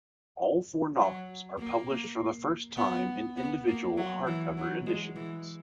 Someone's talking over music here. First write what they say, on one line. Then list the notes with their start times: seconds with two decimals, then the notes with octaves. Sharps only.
All four novels are published for the first time in individual hardcover editions.
0.98 F#3
1.58 A#3
2.77 B3
3.37 B3
3.68 A#3
3.97 F#3
4.27 E3
4.57 F#3
4.86 G#3
5.16 E3